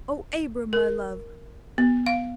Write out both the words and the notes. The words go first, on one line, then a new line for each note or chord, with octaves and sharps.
Oh, Abram, my love!
A#4
B3
F5